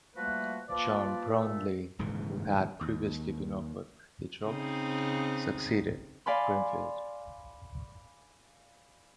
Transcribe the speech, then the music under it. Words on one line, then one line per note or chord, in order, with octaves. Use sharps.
John Brownlee, who had previously been offered the job, succeeded Greenfield.
F3 G3 A3 A#3 F#4 B4
F3 A#3 F4 B4 D5
A#2 A3
D#1 G#2 C#3 E3
D#2
C#3 C4 D#4
D5 F5 G#5 B5 C6